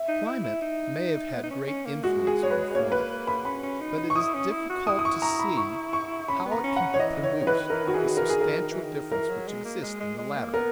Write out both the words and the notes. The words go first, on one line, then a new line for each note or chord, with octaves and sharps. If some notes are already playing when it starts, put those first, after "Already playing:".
Climate may have had great influence on the former, but it is difficult to see how it can have produced the substantial difference which exists in the latter.
Already playing: E5
D#4
E4
E4
D#4
B3
D#4
C#4
C#4
A#3
G#3 F#4
G#4
C#5
B4
A#3 C#5
B4
B5
C#4 B5
C#4
D#4
D#4
C#6
E4 D#6
C#4
E4
F#4
E4 D#6
D#6
C#6
A#5
B5
C#6
C#6
C#4 B5
B3
A#5
C#4
F#5
C#4
C#5
E3 D#5
C#5
D#3
C#5
E3 B4
D#3
E3 A#4
D#3 F#4
G#4
E3
D#3
E3 A#4
D#3 G#4
A#4
E3
D#3
E3
D#3
E3 A#4
F#3
G#3
A#3
G#3
G#3
G#3
A#3
B3 A#4